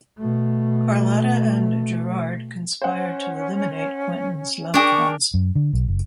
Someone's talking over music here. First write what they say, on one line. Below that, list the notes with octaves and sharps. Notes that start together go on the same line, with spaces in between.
Carlotta and Gerard conspire to eliminate Quentin's loved ones.
B2 A3
C#4 C5 F#5
D4 G#4 A#4 G5 C#6 D6
F#2
D3
B1
F#1